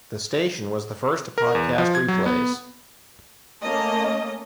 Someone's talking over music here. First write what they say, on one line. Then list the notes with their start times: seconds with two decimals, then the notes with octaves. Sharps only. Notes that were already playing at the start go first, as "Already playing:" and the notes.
The station was the first to podcast replays.
1.38 A#4
1.55 E2
1.78 F3
1.95 G#6
2.08 F#3
2.26 B3
3.63 A3 A#3 C#4 D#5 A5